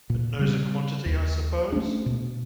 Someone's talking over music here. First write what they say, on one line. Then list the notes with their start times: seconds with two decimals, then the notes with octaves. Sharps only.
But knows a quantity, I suppose?
0.10 A#2
0.39 C#3 G3 C4
1.06 D#2
1.72 A3 C#4 D4
2.06 B2